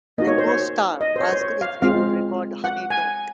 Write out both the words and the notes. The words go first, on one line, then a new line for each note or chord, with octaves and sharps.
Ringo Starr asked if he could record "Honey Don't".
A#3 D#4 F#4 D#5
C#5
C5
C#5
D#5
C5
C#5
C5
C#5
F5
G#3 C4 F4 F5
F#5
G#5